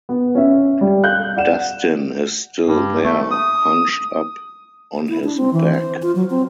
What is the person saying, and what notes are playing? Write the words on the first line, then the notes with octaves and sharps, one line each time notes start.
Dustin is still there, hunched up on his back.
B3
C#4 E5
G3
F5 F#6 G6
D5 F#5 E7
G2
A3
D#6
E4
D4
C4
E3
C5
F4
F#3
C4